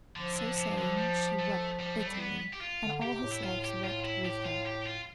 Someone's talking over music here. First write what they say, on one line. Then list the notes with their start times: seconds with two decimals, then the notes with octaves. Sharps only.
So saying, she wept bitterly, and all her slaves wept with her.
0.16 D3 F3
0.36 D3
0.57 C3
0.78 D3
0.97 G3
1.39 A3
1.80 F3 G3
2.00 A3
2.07 G3
2.14 C4
2.20 B3
2.53 G4
2.61 F4
2.82 D3
3.02 C3 G4
3.23 A2
3.32 E4
3.43 F4
3.64 G4
3.84 F4
4.04 E4
4.25 G4
4.46 F4
4.66 G4
4.86 F4